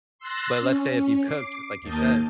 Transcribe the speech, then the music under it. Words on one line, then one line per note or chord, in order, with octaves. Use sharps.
but let's say if you cooked like you said,
C6 E6 F#6 A6 A#6
C#4
D6 C7
D#2 A#3 A5 D#6 G6